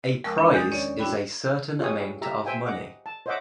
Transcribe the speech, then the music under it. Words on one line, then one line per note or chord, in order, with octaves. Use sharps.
A prize is a certain amount of money.
D#2 F3 G#3 A#4 A5 C#6
D4
E2 D#3 G#3 D#6 A6
C#4 C#5 D5
D4 E4 F#4 G5 B5
F4 G4 G#4 C#5 G#5 D#6
G4 E5 A#5
C5 E5 G5 G#5
D#5 F#5 D6
A5
C5 C#5 D#5 E5 F#5 D6